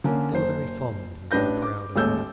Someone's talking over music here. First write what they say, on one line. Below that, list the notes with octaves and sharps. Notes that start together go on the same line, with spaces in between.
They were very fond and very proud of her.
D3 A#3 C#4
F#1 C5
A1 D4 B4 G6 A#6
D6
A1 D#2 G#3 A4 E6 G6